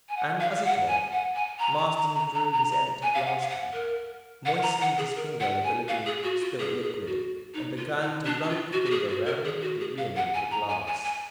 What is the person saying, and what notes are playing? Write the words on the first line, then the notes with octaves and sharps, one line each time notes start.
And as he talked, Marsden drew his empty glass to him, moistened his finger with a little spilt liquid, and began to run the finger round the rim of the glass.
G#5
F#5
F5
F5
F#5
G#5
F#5
G#5
A#5
A#5
A#5
A#5
A#5
A#5
A#5
G#5
F5
F#5
F5
F#5
A#4
F#5
A#5
F#5
G#4
A#4
F#5
G#5
F5
G#4
F#4
F4
G#4
G#4
F#4
D#4
F4
D#4
D4
D#4
F4
F#4
F#4
G#4
F#4
A#4
G#4
F#4
G#4
F5
F#5
G#5
A#5
G#5
G#5
G#5